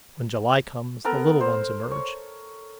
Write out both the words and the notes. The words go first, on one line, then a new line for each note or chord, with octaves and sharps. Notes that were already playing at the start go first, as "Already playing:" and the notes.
When July comes, the little ones emerge.
B3 A4 A#4 A#5
C5
C#5